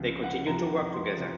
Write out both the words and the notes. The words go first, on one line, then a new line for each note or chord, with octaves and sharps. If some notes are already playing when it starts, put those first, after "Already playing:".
They continue to work together.
Already playing: C#2 C3 F3
F#5
C#2 C3 F3 A#5
C6
C3 F3